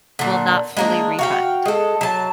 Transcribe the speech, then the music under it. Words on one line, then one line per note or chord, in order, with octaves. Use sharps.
will not fully refund.
A#2 D3
G#3 A#3 D4
F#4 F5 G5
G#3 A4
F#3 A5